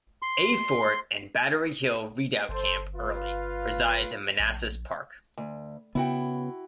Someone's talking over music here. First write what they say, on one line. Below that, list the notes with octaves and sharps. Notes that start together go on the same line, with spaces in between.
"A" Fort and Battery Hill Redoubt-Camp Early resides in Manassas Park.
C6
G1 A4 C5
F4 B4 F5
A#1
D2
C#3 B3 E4 F#4 G5